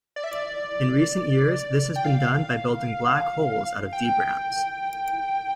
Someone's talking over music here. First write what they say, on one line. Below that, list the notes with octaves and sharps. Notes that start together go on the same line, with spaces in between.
In recent years, this has been done by building black holes out of D-branes.
D5
E5
D5
G5
F5
G5